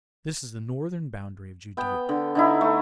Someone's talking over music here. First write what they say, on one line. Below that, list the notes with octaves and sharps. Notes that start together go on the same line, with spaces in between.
This is the northern boundary of Judea.
B3 G5
D3
D3 D#4 E4
A3